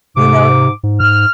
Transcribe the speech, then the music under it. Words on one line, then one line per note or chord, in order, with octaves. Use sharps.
You know it
G#2 C3 D6
G#2
G#2 F6